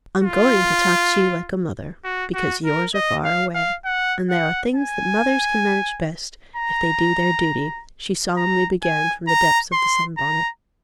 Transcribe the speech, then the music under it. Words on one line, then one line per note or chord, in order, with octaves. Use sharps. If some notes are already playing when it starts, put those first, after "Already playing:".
'I'm going to talk to you like a mother, because yours are far away; and there are things that mothers can manage best, if they do their duty,' she solemnly began from the depths of the sunbonnet.
F4
F#4
F#4
A#4
D#5
F5
F5
F#5
F#5
G#5
A#5
A#5
G#5
A#5
C6
A#5